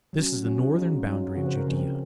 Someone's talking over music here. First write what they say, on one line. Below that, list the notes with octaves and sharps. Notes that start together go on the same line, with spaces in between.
This is the northern boundary of Judea.
F#3 C#4
F#3 C#4 F#4
G#4
D#4
F#3 C#4 F4
F#3 C#4 D#4
F4
G#4
C#3 F3 C4 F#4
C5
A#4
C#3 F3 C4 C#4